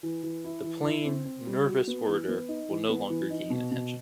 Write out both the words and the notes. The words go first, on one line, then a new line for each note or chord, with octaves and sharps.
The plain nervous orator will no longer gain attention.
E3
E3
E4
E3
E4
C4
C4
G3
F#4
B3
E3
B3
D#4
E3
B3
E3
D#4
B2
B2